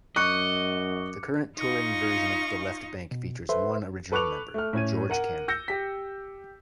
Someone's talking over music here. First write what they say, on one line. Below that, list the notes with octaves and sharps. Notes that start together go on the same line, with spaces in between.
The current touring version of The Left Banke features one original member: George Cameron.
F#2 D#5 C#6 D6 F#6 C#7
D#4 F4 D#5 F5 C#6
B2
A4 B4 C5 E5 C6
A4 B4 C#6 D6 F#6 F7
A3 F6
A2 C#4 G#6 D#7
A#4 F#5 D#7
E6 G6 A#6 C#7
G4 B6